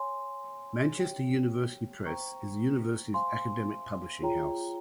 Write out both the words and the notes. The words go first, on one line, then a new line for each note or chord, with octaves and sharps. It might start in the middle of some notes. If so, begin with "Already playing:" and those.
Manchester University Press is the university's academic publishing house.
Already playing: C#5 G#5 C6
G4 C#5 G5
C5 G5 A#5 C#6
C5 F5 G#5 C6
F4 G#4 C#5 G5 A#5